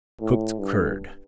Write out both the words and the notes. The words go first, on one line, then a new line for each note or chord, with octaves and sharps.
Cooked curd.
A2
G2